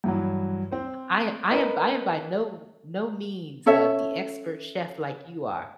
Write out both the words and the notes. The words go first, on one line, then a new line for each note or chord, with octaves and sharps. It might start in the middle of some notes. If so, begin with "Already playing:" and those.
I I am I am by no no means, uh, the expert chef like you are,
G2 E3 F#3
C4 C5
A#4 B4 D#5
C#4 A4 C#5 E5